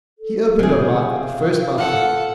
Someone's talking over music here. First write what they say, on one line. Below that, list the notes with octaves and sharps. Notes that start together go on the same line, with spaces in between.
He opened on Mike with the first mouthful.
A4
C3 F4 G#4
F5
F4 A4 F#5